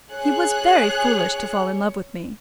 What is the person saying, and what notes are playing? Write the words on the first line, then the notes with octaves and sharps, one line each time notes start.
He was very foolish to fall in love with me.
G#4 C#5 F#6